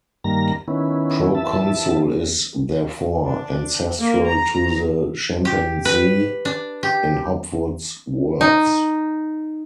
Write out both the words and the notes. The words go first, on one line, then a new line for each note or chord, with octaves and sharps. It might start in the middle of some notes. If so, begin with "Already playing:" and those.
Proconsul is therefore "ancestral to the Chimpanzee" in Hopwood's words.
G2 D#3 G3 A#3 A#5 A#6
D#3 B3 C#4 E4
E3 E5 A5
D4
A#3
A#5
G4
B4
D4
G4
D#4